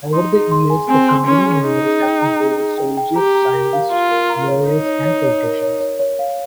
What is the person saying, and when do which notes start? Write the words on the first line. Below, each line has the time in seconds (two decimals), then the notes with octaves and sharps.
Over the years the Company members have included soldiers, scientists, lawyers and politicians.
0.13 D#4 C6
0.32 G#4
0.51 C6
0.70 G#5
0.89 C4 G#5
1.08 C6
1.26 C#4 C6
1.46 G#4
1.64 D#4 G#4
1.84 G#4
2.02 G5
2.22 A#5
2.40 G#4
2.59 G#4
2.78 G5
2.97 G5
3.16 G4 A#5
3.35 A#5
3.54 A#4
3.73 F5
3.92 F4 F5
4.11 A#4
4.30 A#5
4.48 C#5
4.68 D#4 C#5
4.86 C#5
5.06 C#5
5.24 C#5
5.43 A#4
5.62 C#5
5.81 C#5
5.99 C#5
6.19 F5